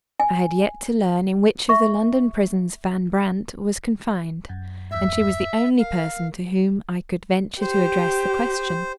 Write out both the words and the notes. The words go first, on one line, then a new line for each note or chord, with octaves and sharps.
I had yet to learn in which of the London prisons Van Brandt was confined; and she was the only person to whom I could venture to address the question.
G#5
E5 C#6
F#2
E2 G2 E5
A#4 F5
G4 C5